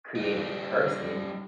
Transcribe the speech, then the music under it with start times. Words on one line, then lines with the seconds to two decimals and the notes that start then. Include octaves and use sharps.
creative person,
0.16 G3 D#4